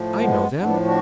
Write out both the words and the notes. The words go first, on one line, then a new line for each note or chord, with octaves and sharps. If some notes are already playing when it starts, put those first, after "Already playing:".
I know them!
Already playing: A2 F3
G#3 B3
A2 F3 B3 D4
D4 F#4